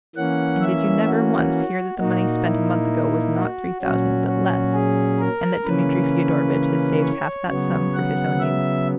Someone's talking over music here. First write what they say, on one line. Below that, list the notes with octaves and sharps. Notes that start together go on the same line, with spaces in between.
"And did you never, once, hear that the money spent a month ago was not three thousand, but less, and that Dmitri Fyodorovitch had saved half that sum for his own use?"
E3 A#3 C#4 F#5
E5
F#4
A#2 A#3 D#4 F#4
E4
F#4
A#2 F#3 C#4 F#4
F#4
G#4
A#4
C#3 E3 A#3 C#4 B4
C#5
C#3 F#3 B3 C#5
F#5
E5